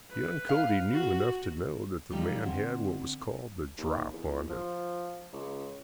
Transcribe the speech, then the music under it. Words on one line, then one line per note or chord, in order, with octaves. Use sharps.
Young Cody knew enough to know that the man had what was called the "drop" on him.
B4
F5
F#4
E3 F3 G3 D#4 G4 D#5
D3 C4
D#2
E2
F3
C#2